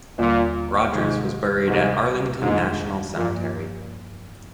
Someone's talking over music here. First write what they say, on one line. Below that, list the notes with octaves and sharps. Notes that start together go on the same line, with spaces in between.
Rogers was buried at Arlington National Cemetery.
D#2 A#2 D3 G3 A#3 F4
G#2 C3 D#3 G#3
D2 G#2 C3 G3 C4
F2 G#2 D#3 G#3 D4 F4
G2 A#2 F3 A#3